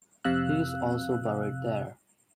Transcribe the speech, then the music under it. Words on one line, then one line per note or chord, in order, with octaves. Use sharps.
He is also buried there.
F2 C3 F5 E6 F#6